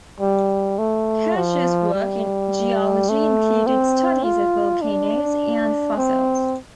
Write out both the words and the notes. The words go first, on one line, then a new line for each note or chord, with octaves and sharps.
Kircher's work in geology included studies of volcanoes and fossils.
G3
A3
F3
G3
A3
C4
F4
D4
C4